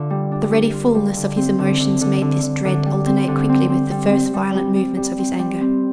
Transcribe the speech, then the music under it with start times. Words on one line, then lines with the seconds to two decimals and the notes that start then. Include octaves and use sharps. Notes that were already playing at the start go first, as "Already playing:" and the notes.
The ready fulness of his emotions made this dread alternate quickly with the first violent movements of his anger.
Already playing: D3 D4 F4
0.10 G3
0.32 D4
0.52 D4
0.73 F4
0.95 G3
1.16 D3
1.37 C4
1.59 D3
1.80 D3
2.01 D3
2.22 D3
2.43 D3
2.65 D3
2.86 G3
3.06 C4
3.28 D3
3.49 C4
3.70 C4
3.91 G3
4.12 C4
4.34 G3
4.55 G3
4.76 G3
4.97 G3
5.19 C4
5.39 G3
5.61 C4